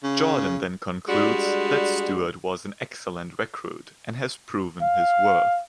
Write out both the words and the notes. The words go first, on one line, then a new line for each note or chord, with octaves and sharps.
Jordan then concludes that Stewart was an excellent recruit and has proven his worth.
C#3
G3 G#3 D4 F#4
F5